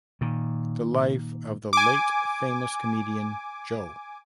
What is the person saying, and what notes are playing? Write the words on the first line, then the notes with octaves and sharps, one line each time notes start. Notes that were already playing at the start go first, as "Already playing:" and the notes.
The Life of the Late Famous Comedian, Jo.
A#2 D#3
G#5 D6